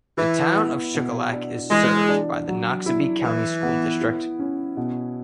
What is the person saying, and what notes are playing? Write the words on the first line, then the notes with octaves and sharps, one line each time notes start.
The Town of Shuqualak is served by the Noxubee County School District.
E3 E4
B3
B2
D4
E3 G#3
D4
F#3
E4
E3 E4
B3
E4
C#4
B2